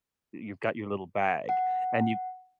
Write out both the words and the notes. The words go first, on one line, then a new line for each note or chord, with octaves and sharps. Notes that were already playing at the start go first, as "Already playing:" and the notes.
you've got your little bag, and you
F#5